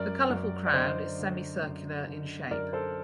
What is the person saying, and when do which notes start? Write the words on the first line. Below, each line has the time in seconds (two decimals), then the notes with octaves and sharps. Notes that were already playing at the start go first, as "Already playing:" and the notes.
The colourful crown is semicircular in shape.
Already playing: F#2 A#4 D5
0.30 F#2
0.66 D5
0.74 D3 C5 D#5
1.19 D3
1.63 F#2
2.07 D3
2.51 F#2 A#4 D5
2.73 A4 C5